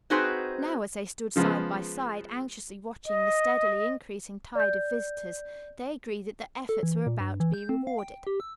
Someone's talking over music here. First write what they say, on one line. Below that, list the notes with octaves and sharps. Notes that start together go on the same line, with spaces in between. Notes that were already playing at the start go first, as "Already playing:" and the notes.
Now, as they stood side by side anxiously watching the steadily increasing tide of visitors, they agreed that their efforts were about to be rewarded.
C4 D#4 F#4 G#4 B4 C5
C#3 F3 G#3 B3
D#5
D5 G6
A4
E3
A#2
G2
E3
G6
C4
F5
G5
G4
E6